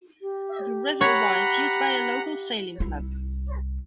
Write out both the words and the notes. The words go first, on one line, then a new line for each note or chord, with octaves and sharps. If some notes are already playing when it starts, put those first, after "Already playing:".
The reservoir is used by a local sailing club.
G4
C#5 F#5 A#5 B5
C2 E4